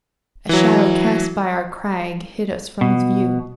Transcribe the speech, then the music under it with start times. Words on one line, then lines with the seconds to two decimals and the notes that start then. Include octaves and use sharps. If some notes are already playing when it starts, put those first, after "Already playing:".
A shadow cast by our crag hid us from his view.
0.49 E3 F#3
2.81 B2